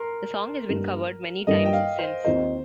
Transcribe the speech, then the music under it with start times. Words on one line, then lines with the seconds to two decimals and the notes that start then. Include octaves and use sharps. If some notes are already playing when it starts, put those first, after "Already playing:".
The song has been covered many times since.
Already playing: A#4 C6
0.68 G2 D#3 G3 A#3
1.47 G2 D#3 G3 A#3 D#5
1.66 G5
1.73 F5
1.99 C5
2.24 D#2 D#3 C4 F4 C5 D#5